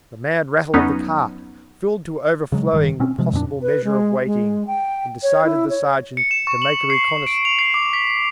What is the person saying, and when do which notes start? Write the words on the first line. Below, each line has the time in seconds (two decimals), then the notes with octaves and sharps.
The mad rattle of the cart, filled to overflowing the possible measure of waiting, and decided the sergeant to make a reconnaisance.
0.74 F2 F#3 B3 C#4 D#4
2.52 C#3 F#3 G#3
2.72 A1 G2 D#3
3.00 B2 C4 C#4
3.18 C3 F3 G#3
3.33 F2 A#2 C4 D4
3.62 B4
3.84 G#3
4.26 G#3
4.67 G5
5.23 C#5
5.45 E4
5.70 C#5
6.17 C#7
6.31 E7
6.47 C#6
6.62 F#7
6.90 C7
7.27 D7
7.45 F7
7.59 C7
7.74 D6
7.93 B6